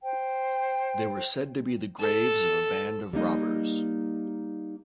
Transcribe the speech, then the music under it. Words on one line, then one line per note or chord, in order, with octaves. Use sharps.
They were said to be the graves of a band of robbers.
C5 G5
A4
G3 A#3 D#4 D#5